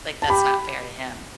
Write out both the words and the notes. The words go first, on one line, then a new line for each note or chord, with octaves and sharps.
like, that's not fair to him.
A5
G4 B5